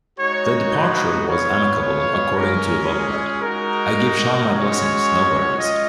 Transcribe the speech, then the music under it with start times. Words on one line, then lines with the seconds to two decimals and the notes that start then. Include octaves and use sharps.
The departure was amicable according to Vollmer: I give Sean my blessings, no worries.
0.19 G#3 D#4 F#4 C#5
0.73 B4
1.27 B3 F4 C#5
1.80 C#5
2.34 G#3 C#4 F4 A#4
2.88 G#4
3.42 G#3 D#4 F#4 A#4
4.50 G#3 C#4 F#4 C#5
5.58 G#3 C#4 F4 D#5